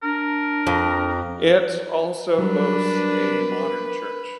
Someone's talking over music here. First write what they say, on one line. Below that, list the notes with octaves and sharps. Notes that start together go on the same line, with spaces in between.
It also boasts a modern church.
D4 A#4
F2
F#3 G3 D4 A#4 B4